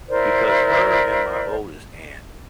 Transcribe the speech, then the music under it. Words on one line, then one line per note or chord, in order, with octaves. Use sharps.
because her and my oldest aunt
E4 A#4 C5 D5